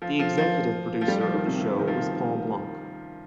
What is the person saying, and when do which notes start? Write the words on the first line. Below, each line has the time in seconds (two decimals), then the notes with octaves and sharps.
The executive producer of the show was Paul Block.
0.02 F3
0.19 F3
0.38 F3
1.01 F3
1.08 G3
1.21 F3
1.34 D#3
1.47 C3
1.61 C3
1.79 D#3
1.88 F3